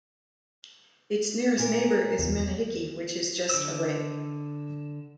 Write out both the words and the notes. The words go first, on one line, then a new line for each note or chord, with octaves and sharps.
Its nearest neighbour is Manihiki which is just away.
A#2 A#4
E2
D3 E6